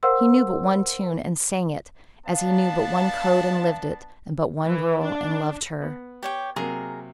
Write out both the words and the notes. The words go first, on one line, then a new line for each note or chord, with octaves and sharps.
He knew but one tune and sang it, as he knew but one code and lived it, and but one girl and loved her.
A#4 C5 F5 F#5 C6 E6
B3 D4 F5 A5
E3
D4
B3
G4 C#5 G5
C3 F#3 A#3 G#4 A#4